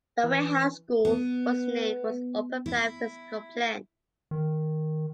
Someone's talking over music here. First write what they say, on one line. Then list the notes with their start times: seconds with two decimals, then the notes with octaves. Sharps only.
The Warehouse School was named for its open-plan physical plant.
0.24 E3
1.05 B3
2.66 E4
4.31 D#3